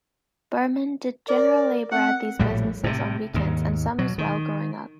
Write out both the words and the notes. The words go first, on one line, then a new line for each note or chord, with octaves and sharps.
Berman did general labor at these businesses on weekends and summers while growing up.
A#4 D5
C4 F#5
A#1 A2 G3
A2 C3
D#2 G#2
B2 F#3
D#3